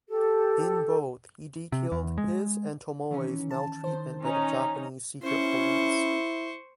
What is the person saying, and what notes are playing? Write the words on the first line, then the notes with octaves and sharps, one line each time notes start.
In both, he detailed his and Tomoe's maltreatment by the Japanese secret police.
G4 A4
C3
E2
G#3
D#3 E3 C#4
A5
D#3 C5
C#4 D#4 A#5
C#4 E4 C5 C#6